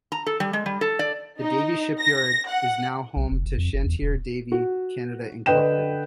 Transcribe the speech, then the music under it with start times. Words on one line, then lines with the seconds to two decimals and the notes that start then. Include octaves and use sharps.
The Davie Shipyard is now home to Chantier Davie Canada Incorporated.
0.12 A#5
0.26 A4
0.40 G3
0.53 G#3
0.66 G3
0.81 A4
0.99 D5
1.40 D#4
2.01 A#6
2.48 F#5
3.16 B1
3.31 F1
3.45 F#1
3.58 F2
3.73 F#1
3.85 E2
4.02 E1
4.52 F#4
5.46 D3 B4 D#5 G5 E7